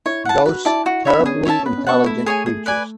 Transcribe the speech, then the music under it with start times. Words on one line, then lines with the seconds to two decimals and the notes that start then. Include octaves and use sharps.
Ghosts Terribly intelligent creatures.
0.06 E4 C#5
0.25 F#5 A5
0.46 F#4 B4
0.65 E4 D5 A5
0.86 E4 F#4
1.05 D4 C#5 E5 B5
1.19 B3
1.25 C#4 G#4
1.45 C#5 E5 A5
1.66 B3 B4
1.77 C#4
1.87 B3 F#5 A5 C#6
2.06 A3 E4
2.26 G#4 C#5 G#5
2.46 G#4
2.66 B4 D5 G#5